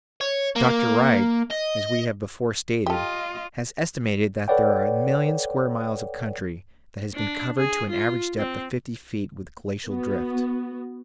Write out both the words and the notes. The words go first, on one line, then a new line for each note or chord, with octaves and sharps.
Dr. Wright--as we have before stated--has estimated that there are a million square miles of country that has been covered to an average depth of fifty feet with glacial drift.
C#5
A#3
D#5
F4 G4 A4 D#5
A4 B4 C#5 D5 F#5 G5
D4
G#4
F4
C4
B3 F#4